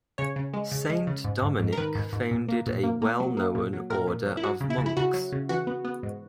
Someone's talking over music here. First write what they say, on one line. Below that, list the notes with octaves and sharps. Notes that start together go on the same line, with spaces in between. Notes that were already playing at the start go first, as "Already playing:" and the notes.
Saint Dominic founded a well-known order of monks.
C#3 C#5
C#3
G#3
C#3
G#3
C#3
G#2
G#2
G#2
A#4
D#3 B4
G#2
G#2
A#2
A#3
A#2
A#3
A#3
F#3
A#3
A#2
F#3
A#2 A#4
A#2
F#3
E4
F#3 F#4
C#3
E4
C#3
E4
C#3 F#4
F#3
C#3
E3 F#4
B3
B3
G#2